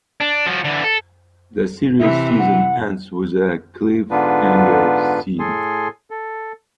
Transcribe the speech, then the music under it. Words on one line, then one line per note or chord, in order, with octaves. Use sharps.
The series season ends with a cliffhanger scene.
D4
F3 F#4
D3 E3
A4
C3 E3 E5
F#5
G#2 D3 B3 D4 F4 B4
A2 G#4 A4 G#5 C6
A4